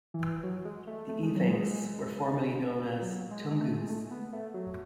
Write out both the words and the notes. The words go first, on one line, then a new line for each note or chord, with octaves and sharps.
The Evenks were formerly known as "tungus".
E3
F#3
G#3
A3
A3
G#3
F#3
G#3
F#3
G#3
G#3
A3
G#3
A3
B3
A3
F#3